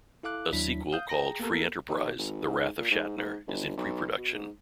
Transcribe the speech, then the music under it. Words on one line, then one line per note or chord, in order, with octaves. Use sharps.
A sequel called ""Free Enterprise: The Wrath of Shatner"" is in pre-production.
E4 A4 F5 D6 F#6
D#2 F#3 D4 E4 B6
F5 D#6 G6
G#4 G5 A#5 A#6
A#3 B3 G4 A4 A#4
D#2
G#1
G#2
A#2
G#2
G#2
G1
B1
B2
G#2